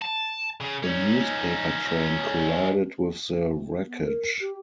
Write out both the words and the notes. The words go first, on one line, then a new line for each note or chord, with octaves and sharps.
A newspaper train collided with the wreckage.
A5
C#3
C#4 D#4
B3
A#4
G4